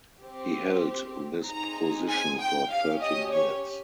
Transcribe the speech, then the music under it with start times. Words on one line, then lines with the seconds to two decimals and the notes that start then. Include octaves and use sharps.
He held this position for thirteen years.
0.21 C4 G4
1.45 C4 D#4 G#4 A#5
2.08 G#5
2.38 G5
2.69 C#4 G4 F5
3.00 D#5
3.32 C#5